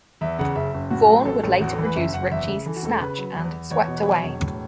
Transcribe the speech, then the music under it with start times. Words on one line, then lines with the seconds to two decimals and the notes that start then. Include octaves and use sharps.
Vaughn would later produce Ritchie's "Snatch" and "Swept Away".
0.21 E2 E5
0.39 C#3 F#5
0.55 F#1 E5
0.74 F#1
0.90 A2 F#4
1.09 F#3
1.25 A1 A4
1.44 A1
1.60 E2 F#4
1.73 A4
1.78 E3
1.85 B4
1.96 F#1 E5
2.13 F#1 F#5
2.31 E2 E5
2.48 C#3
2.66 E3 A4
2.76 F#4
2.83 E1 A4
3.01 C#3 B4
3.18 F#3
3.36 E2
3.53 E2
3.71 E2 C#5
3.88 B2
3.97 B4
4.06 F#3 C#5
4.23 E1
4.40 A2